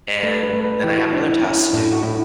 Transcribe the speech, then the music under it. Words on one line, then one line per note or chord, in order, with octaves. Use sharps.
and then I have another task to do,
A3 B4
B4
A3
B4
E3 G4
F#4
D4
E4
C#4 E4
A2 D4
F#4
A2 E4